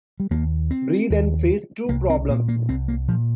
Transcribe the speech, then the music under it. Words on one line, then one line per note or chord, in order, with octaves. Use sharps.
Breadon faced two problems.
G3
D#2 A#3
C4
D#2
C2 A#3
C4
A#2 A#3
A#3
C2 C4
A#3
A#2 F3